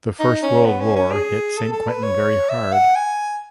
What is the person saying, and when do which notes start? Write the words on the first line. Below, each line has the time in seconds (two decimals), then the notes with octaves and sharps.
The First World War hit Saint Quentin very hard.
0.19 D#4
0.43 C#4
0.66 B3
0.81 C#4
0.96 C#4
1.12 G#4
1.57 A4
1.73 A4
1.88 B4
2.03 C#5
2.50 E5
2.72 F#5
2.96 G#5